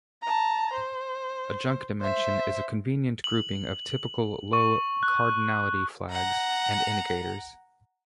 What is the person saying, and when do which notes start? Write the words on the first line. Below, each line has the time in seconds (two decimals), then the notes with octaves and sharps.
A junk dimension is a convenient grouping of typically low-cardinality flags and indicators.
0.23 A5 A#5
0.73 C5
2.01 C5 E5
3.24 F#7
4.53 C#6
5.03 F#6
6.11 F#5 A#5